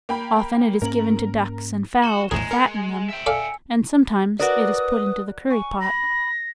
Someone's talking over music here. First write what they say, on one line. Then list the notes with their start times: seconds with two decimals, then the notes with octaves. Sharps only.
Often it is given to ducks and fowl to fatten them, and sometimes it is put into the curry pot.
0.09 A#3 G5 B5
0.82 G#2 A#3 C#4 A#4 F#7
2.04 F#4 E7 G7
2.31 A#1 E2 A2 G#3 G#4 A#5 E7
2.51 A#4 C#7
3.10 E5 G5
3.26 A4 D5 F5 G#5 E6 C#7
4.39 F#4 A#4 B4 D5 D#6
5.50 G#5 C#6
5.81 B5 A#6